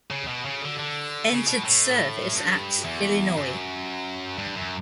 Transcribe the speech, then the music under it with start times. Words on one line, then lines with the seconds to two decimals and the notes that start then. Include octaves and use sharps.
Entered service at: Illinois.
0.10 C#3
0.27 B2
0.45 C#3
0.62 D3
0.79 D3
1.31 C#3
1.47 B2
1.65 A2
2.33 G2
2.84 E2
3.36 F#2
4.38 G2
4.56 F#2